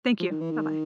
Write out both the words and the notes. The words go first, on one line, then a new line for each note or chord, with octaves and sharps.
Thank you. Bye-bye.
F3
D#3
E3
D#3